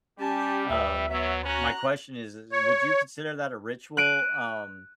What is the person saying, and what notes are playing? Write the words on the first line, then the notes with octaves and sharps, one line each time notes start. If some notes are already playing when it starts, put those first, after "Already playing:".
Um, my question is is would you consider that a ritual? Um
G3 C#4 G4 G#5 A5
D2 B4 E5
F#3 B3 C#5 E5
C#4 F#4 A#5 F#6
C#5
F#6 D7 D#7